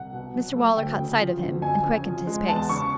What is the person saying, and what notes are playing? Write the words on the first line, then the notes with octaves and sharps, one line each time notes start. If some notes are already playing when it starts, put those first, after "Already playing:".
Mr Waller caught sight of him and quickened his pace.
Already playing: C2 F#5
B2
F#3
A3
D2 G5
C#3
F3
D2
F2 G#5
C#3
F3
G#3
E2 A5
C#3 C#6